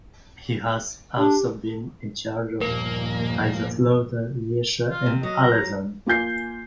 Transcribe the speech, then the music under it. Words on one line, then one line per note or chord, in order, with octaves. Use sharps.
He has also been in charge of Kaiserslautern, Lierse and Aalesund.
D4 G4
G1 D#2 A#2 F3 A#3 A#4
F4
C3
F#3 D#5
A#5
A#3 F4 G#5 G6 C7